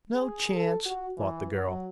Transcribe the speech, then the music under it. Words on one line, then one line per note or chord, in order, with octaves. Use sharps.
"No chance," thought the girl.
G#4
A4
F#4
E3
F#3